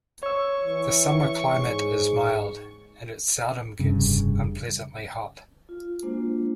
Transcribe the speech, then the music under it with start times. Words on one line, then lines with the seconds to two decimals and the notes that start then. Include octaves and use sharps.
The summer climate is mild, and it seldom gets unpleasantly hot.
0.23 C#5 C#6 E6
0.65 E3
1.53 G#2 G#4
3.79 F1 G2 C#3
5.69 F4
6.02 G#3 A#3 D4 F4 F#4 C5